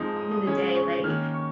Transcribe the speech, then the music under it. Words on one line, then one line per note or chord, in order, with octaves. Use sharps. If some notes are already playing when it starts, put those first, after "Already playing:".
of the day, like,
Already playing: F2 F3 G#3 D#4
D#6
D#6
C#3 G#3 C#4 D#6
C#6
D#3 A#3 C#4 F6
C#6